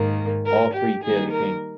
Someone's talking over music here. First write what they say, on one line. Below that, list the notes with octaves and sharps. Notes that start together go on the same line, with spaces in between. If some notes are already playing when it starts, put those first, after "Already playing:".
All three failed the king.
Already playing: G#2 D#3 A#3
A#4
G4
D#3 G3 A#3 D#4 G#4
A#4